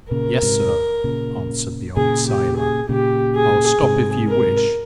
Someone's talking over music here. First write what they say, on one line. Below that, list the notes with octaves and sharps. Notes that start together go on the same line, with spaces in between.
"Yes, sir," answered the old sailor, "I'll stop if you wish."
A#2 C#3 A#4
G#2 C3
A#2 C#3
A#2 C#3 G#4
G4
G#4
A#2 C#3 G4
G#4
G#2 C3 G#4
A#4